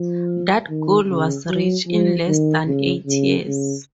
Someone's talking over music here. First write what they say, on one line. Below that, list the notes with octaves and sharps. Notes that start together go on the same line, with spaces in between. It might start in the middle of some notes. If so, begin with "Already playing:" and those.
That goal was reached in less than eight years.
Already playing: F3
D#3
C#3
F#3
F3
D#3
C#3
C#3
C#3